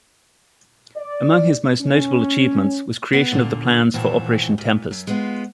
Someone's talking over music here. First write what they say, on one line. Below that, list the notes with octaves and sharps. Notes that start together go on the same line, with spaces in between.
Among his most notable achievements was creation of the plans for Operation Tempest.
D5
C#4
B3
A#2 D3 A#3
D#2 A#2 E3 C4 F#4 A5
A#2
F#2
G#3 B3 F4